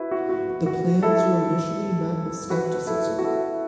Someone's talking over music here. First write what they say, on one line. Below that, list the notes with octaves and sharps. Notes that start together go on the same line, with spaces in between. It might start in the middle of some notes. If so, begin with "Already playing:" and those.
The plans were initially met with scepticism.
Already playing: E4 F#4 B4
F#4
F#4
F#4
E4 A4
F#4 B4
E4 A4
F#4
E4 A4
E4